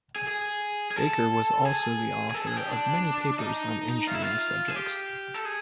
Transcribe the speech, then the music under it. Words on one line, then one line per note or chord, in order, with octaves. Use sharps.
Baker was also the author of many papers on engineering subjects.
G#4
G#4
G#4
A4
G#4
G#4
A4
G#4
G4
D4
D#4
F4
E4
F4
G#4
G4
A4
G#4